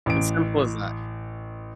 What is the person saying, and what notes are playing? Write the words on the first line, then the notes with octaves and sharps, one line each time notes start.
It's simple as that.
A1 D7